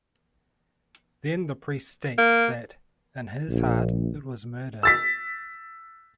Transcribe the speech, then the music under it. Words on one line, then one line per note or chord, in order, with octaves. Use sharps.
Then the priest states that, in his heart, it was murder.
A#3
A#1
E6 A6 B6